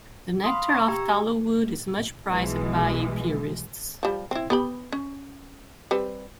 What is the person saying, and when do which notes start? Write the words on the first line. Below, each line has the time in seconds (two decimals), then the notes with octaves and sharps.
The nectar of tallowwood is much prized by apiarists.
0.44 F5 B5 C6 D#6
0.68 A#5 C#6
0.85 G4 A#5 E6
2.29 B1 B2 E3 G#3
4.03 F3 G3
4.31 C4 E4
4.50 B3 G4 B5
4.92 C#4
5.91 G3 C4 B4